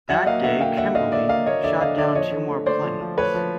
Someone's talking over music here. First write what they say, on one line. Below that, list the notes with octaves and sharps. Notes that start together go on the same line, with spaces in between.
That day "Kimberly" shot down two more planes.
F#3 E5 F#5
A#3 D#5 F5
D3 E5 F#5
A#3 F5 G5
D3 E5 F#5
D3 D#5 F5
A#3 D5 E5
A#3 D#5 F5
A#3 C#5 D#5
D3 D5 E5
D3 D#5 F5
D3 D5 E5
F3 C#5 D#5
D3
A3
A3 C5 D5
F3
F3
A3 B4 C#5
F3